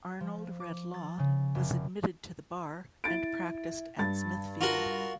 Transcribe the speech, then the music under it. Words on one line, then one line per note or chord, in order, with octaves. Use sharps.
Arnold read law, was admitted to the bar and practiced at Smithfield.
F3
D6
A6
C#3
F1
E4 A6 D7
G2 A6
F4 F#4 A#4